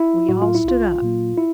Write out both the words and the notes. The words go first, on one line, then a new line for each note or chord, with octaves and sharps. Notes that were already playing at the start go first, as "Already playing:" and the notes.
We all stood up.
Already playing: E4
A2 F#3 F#4
F4
E4
B1 F4
A#2 F#3 A#3
E4